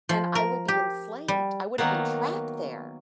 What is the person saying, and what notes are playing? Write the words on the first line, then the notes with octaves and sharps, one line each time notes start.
and I would be enslaved. I woulda been trapped there.
F3
A#4
G4
G3
D#3 F#3 A#3 B3